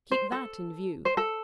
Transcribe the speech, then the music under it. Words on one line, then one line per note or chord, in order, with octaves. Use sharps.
Keep that in view.
C5
A4
C5
A4